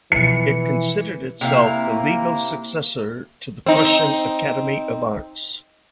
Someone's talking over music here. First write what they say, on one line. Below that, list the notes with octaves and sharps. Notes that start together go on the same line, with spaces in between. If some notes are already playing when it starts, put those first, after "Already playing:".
It considered itself the legal successor to the Prussian Academy of Arts.
B2 E3 F3 C#7
C3 A#3 E4 F5
C4 D#4